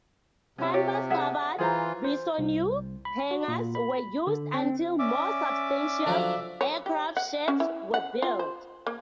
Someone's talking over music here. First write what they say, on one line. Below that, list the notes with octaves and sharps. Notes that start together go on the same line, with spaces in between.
Canvas-covered Bessonneau hangars were used until more substantial aircraft sheds were built.
C3 C#4 E5
F4 G4 C#5
G#4 E5 F#5
E3 F4 G#4 C5 A#5
C5
C2
B5
F#4
A#2
B5
D3
C4
C#4 D5 E5 D6
D3 F3 F#3
C#5
G4
F#5
C#4
E4
F#5
F4
C5
A#3